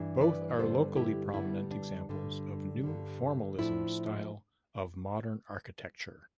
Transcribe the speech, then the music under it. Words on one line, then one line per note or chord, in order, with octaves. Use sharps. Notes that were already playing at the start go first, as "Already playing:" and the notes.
Both are locally prominent examples of New Formalism style of Modern architecture.
Already playing: G2 E3 G3 D4
B4 D5
G2 D3 G3 B3 A4 C5
E4 G4
G2 D3 G3 B3 E4
D4
G2 D3 G3
G2 D3 G3
A2 F3 A3 D4 E4